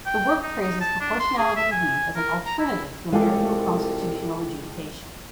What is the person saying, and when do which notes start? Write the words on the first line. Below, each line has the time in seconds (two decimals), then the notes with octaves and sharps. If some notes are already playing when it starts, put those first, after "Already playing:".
The work praises proportionality review as an alternative to American constitutional adjudication.
0.06 G5
0.42 D#4
0.61 D#4
0.80 A5
1.00 D4
1.20 C6
1.38 G#4
1.56 E5
1.72 G#5
2.16 A#4
2.46 A#5
2.59 E4
3.12 C2 G#3 F4 G4 A4 F5